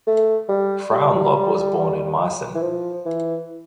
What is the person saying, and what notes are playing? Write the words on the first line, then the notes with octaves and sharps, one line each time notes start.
Frauenlob was born in Meissen.
A3
G3
G3
E3
F3
E3